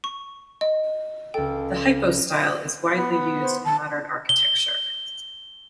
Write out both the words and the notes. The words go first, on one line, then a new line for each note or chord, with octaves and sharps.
The hypostyle is widely used in modern architecture.
C#6
D#5
C#2 A4 G5
B3
B3
C5
A5
G7